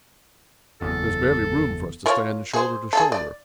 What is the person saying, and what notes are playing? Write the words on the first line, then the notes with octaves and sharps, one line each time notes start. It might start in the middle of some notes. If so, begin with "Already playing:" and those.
There was barely room for us to stand, shoulder to shoulder.
F#1 E2 A4
F4 A#4 C#5
G#4 C5
G#4 A4
D5